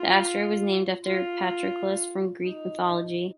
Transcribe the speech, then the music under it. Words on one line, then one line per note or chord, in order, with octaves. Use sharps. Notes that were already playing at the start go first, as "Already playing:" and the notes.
The asteroid was named after Patroclus from Greek mythology.
Already playing: F4
F4
D#4